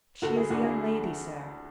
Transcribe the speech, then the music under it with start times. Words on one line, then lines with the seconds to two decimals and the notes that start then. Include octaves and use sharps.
"She is a young lady, sir."
0.22 D2 F#4 A4
0.36 E4 G#4
0.50 D2 D4 F#4
0.64 E4 G#4